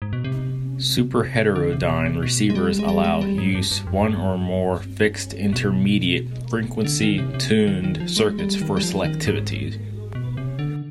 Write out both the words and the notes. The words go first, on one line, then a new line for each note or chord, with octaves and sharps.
Superheterodyne receivers allow use one or more fixed intermediate frequency tuned circuits for selectivity.
G#2
B2
C3
D3
C3
B2
C3
B2
G#3
G3
G#3
G3
G#3
G3
G#2
G2
G2
F2
G2
B2
D3
D#3
C3
C3
D#3
D#3
F3
G#3
G3
D#3
G3
F3
D#3
G#2
B2
C3
D3